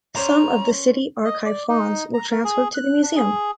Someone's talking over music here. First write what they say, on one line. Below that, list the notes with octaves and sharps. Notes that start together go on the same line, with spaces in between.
Some of the city archive fonds were transferred to the museum.
C#4 C5 D5 A#5
D#5
D5
D#4
A#5
A#4
G#4
F#6
D4
G#4